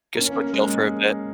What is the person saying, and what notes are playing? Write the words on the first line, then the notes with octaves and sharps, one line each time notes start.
Just go chill for a bit.
A#3
C#4
A#3
G#3